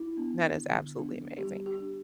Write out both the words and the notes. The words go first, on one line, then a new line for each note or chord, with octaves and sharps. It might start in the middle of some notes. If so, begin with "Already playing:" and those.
that is absolutely amazing,
Already playing: E4
B3 D4
D3
B3 D4
G3 G4
G4
D4